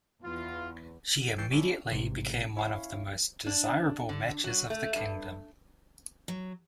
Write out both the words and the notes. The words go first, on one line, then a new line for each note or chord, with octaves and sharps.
She immediately became one of the most desirable matches of the kingdom.
E2 F4
E3 C#4 G5 A5 C7 C#7
C#4 D4 E4
A1 G#2 C3 E3
C#4 E4 C#5 F5
D4
D3
F#3
A3
G2
F#3